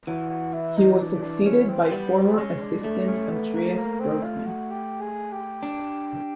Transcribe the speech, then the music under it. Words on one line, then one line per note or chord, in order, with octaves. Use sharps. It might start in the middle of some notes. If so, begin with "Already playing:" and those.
He was succeeded by former assistant Andreas Bergmann.
E3 F#4
F#4
E4
D#4
D4
D4
C#4
C4
G3 B3
C4
G#3 C#4
D4
A3 D4
C#4
B3
A#3
A#3
C4
F4
F#4
G4
G#4
G4
D4